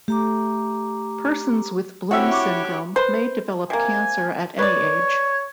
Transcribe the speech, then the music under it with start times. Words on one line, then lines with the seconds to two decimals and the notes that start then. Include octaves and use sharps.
Persons with Bloom syndrome may develop cancer at any age.
0.08 A3 G4 A#5 D6
2.11 C4 D4 E4 F#4 G4 C#5 E5
2.32 C#6 D6
2.96 B4 C5
3.70 C3 A#3 G#5
4.59 B4 C#5 D5